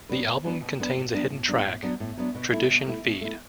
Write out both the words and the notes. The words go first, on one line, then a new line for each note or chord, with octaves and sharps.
The album contains a hidden track, "Tradition Feed".
F#3 B3 D4 B4
B2
F#3 B3 D4 B4
B2
F#3 B3 D4 B4
A2
F#3 B3 D4
A2
F#3 B3 D4
A2
F#3 B3 D4
A2
F#3 B3 D4
B2
A3 E4
B2
A3 E4
B2
A3 E4